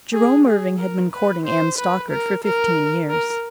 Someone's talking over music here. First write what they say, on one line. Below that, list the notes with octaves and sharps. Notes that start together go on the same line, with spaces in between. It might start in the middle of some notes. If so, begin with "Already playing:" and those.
Jerome Irving had been courting Anne Stockard for fifteen years.
G#4
G#4
A#4
B4
C5
B4
A#4
A#4
A#4